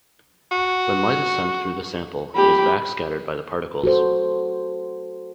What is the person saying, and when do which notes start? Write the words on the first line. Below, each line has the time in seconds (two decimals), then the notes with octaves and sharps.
When light is sent through the sample, it is back scattered by the particles.
0.52 F#4
2.36 G4 B5
3.83 F#4 A4 C5